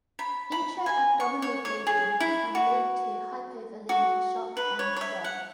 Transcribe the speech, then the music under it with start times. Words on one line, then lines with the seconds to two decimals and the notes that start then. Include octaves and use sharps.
Intra-abdominal bleeding can lead to hypovolemic shock and death.
0.19 B5
0.52 B5
0.86 G#5
1.20 C#6
1.42 C#5
1.65 C#5
1.87 G#4
2.20 E4
2.55 F#4
3.89 F#4
4.57 B4
4.79 C#5
4.97 C#5
5.01 E5
5.24 F#5